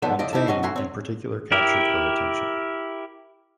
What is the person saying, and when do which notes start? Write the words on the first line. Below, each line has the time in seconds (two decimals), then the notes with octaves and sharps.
Montaigne in particular captured her attention.
0.02 D3 F3 F#3 B3 D#4 A4
0.19 A2 C#3 F3 D5 D#5
0.33 D#4 E4 G4 A4
0.47 C#2 F#3 F#4 D#5 G#5
0.63 B1 A3 F#4 G#5 A#5 C6
0.76 C4 C#5
1.52 E4 G4 A#4